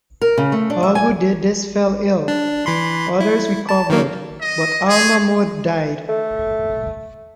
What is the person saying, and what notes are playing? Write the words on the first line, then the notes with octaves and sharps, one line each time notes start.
All who did this fell ill. Others recovered, but Al-Ma'mun died.
A#4
C#3
A3
D4
E5
G#5
D4
E3 B5 C6
E4
A5
D#3 F#3 A#3
D#5
G#4
A3